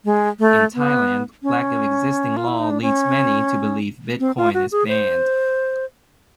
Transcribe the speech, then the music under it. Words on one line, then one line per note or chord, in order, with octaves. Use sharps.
In Thailand, lack of existing law leads many to believe Bitcoin is banned.
G#3
A3
B3
C#4
F4
E4
D#4
D4
C#4
C4
F4
F#4
G#4
C5